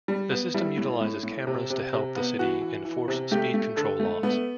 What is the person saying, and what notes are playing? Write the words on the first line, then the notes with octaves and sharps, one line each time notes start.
The system utilizes cameras to help the city enforce speed control laws.
G3
B3
G3 E4
A2
A2
A2
C3
C3
C3
B3
E3 F#4
E3
E3
C3
A3 G4
A3
D3 A4
A3
A3 B3